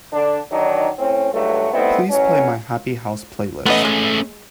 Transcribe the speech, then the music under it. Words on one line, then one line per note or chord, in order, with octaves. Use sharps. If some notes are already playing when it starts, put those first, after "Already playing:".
Please play my Happy House playlist.
D3 D4
D3 D#3 F#3 D4 D#4
A2 C4 C#4
C#2 G2 F#3 A3
G3 A3 B3 C4 D#4 E4
A1 A2 F#3 C#4
A3 B3 C#4 B4 D#5
G#3